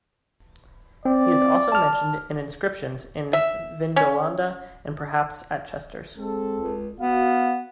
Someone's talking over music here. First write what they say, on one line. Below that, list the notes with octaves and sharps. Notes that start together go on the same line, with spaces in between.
He is also mentioned in inscriptions in Vindolanda and perhaps at Chesters.
C4 D5
A5 F6
E5
C#4
G#3 C4 A4
C#2
B3 F#4 F5